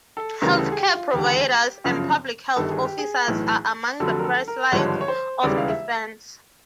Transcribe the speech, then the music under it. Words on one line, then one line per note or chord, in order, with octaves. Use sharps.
Health care providers and public health officers are among the first lines of defense.
A4
D2 C#3 E3 G3 A#4
A4
G#4
G4
F4
E1 D#2 D3 G4
G1 F#2 C#3 F3
G1 G2 D#3 A4
G#4
G4
G#4
B1 A2 E3
F1 F2 D3 F#3 A4
A#4
A4
A#4
G#1 G2 D3 F3 G#3 C#5
C#5
C5
E1 D#2 C#3 E3 G3 D5
F5
E5